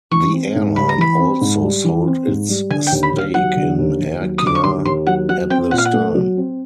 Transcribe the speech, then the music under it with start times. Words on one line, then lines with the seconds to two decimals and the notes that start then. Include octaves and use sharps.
The airline also sold its stake in Arkia at this time.
0.11 E3 C#6
0.32 C4
0.55 G#2
0.76 G3 B5
0.89 A#5
0.98 E3 B5
1.19 C4
1.41 G#2
1.62 G3
1.84 E3
2.06 C4
2.27 G#2
2.49 G3
2.70 D3 G#5
2.87 G5
2.91 D#2
3.03 B5
3.13 D#2
3.18 F5
3.34 F#3 F#5
3.56 D3
3.78 D#2
4.00 D#2
4.21 F#3
4.38 D#6
4.42 D3 D6
4.55 C#6
4.64 D#2 C6
4.85 D#2 C6
5.07 F#3 F#5
5.29 F#3 F#5
5.50 C4 G5
5.71 A#2 F#5
5.78 F5
5.85 F#5
5.93 A3
6.15 F#3
6.37 C4